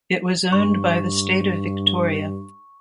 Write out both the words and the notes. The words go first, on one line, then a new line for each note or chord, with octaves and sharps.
It was owned by the State of Victoria.
G2 C#6